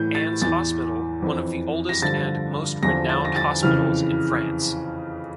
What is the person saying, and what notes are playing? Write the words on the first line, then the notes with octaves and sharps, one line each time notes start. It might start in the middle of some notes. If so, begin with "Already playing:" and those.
Anne's Hospital, one of the oldest and most renowned hospitals in France.
Already playing: A2 E3 G6
A6
E2 E3 A6
F2 E3
A#6
G2 D3 F3 A6
E2 D3 F3 A#6
A6
A#6
A6
F2 C#3 E3 F6